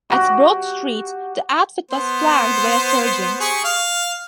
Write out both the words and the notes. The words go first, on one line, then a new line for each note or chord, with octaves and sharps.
At Broad Street the outfit was flagged by a sergeant.
F#4 G4
B3 C5
G4 G#4 C#6
F5